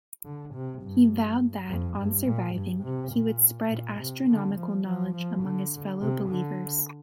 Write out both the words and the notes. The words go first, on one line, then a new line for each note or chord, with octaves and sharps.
He vowed that, on surviving, he would spread astronomical knowledge among his fellow believers.
D3
C3
G2
F2
G2
A#2
G2
C3
A#2
A#2
C3
D3
F3
F3
F3
D3
C3
D3